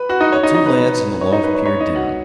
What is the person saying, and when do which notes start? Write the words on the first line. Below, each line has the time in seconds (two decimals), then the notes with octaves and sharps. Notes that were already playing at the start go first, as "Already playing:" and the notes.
The two lads in the loft peered down.
Already playing: B4 B5
0.09 F#4 F#5
0.21 D#4 D#5
0.32 C#5
0.43 D#4 D#5
0.54 D#4 D#5
0.66 B4
0.76 B4
1.21 C#5
1.32 D#4 D#5
1.44 B4
1.55 C#5
1.66 C#5
1.80 D#4 D#5
1.95 F#4 F#5